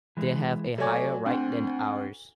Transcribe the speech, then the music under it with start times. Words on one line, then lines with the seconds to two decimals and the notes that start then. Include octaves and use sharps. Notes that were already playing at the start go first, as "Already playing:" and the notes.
They have a higher right than ours.
0.17 E3 G#3
0.78 F#3 A3 C#5 D5 G#5
1.26 D2 C4 D4